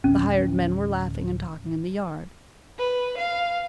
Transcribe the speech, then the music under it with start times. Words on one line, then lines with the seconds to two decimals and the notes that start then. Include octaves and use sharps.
The hired men were laughing and talking in the yard.
0.04 A1 D2 C#4
2.79 B4
3.18 F5